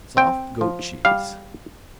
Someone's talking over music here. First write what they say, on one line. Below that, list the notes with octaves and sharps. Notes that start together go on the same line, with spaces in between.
Soft goat cheese.
C4 G5
F3
G3 F5